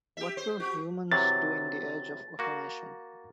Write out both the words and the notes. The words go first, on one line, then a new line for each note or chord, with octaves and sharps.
What will humans do in the age of automation?
G4 E5
C5
F#4 G4
C3 E3 F#3 A6
A#3 F#4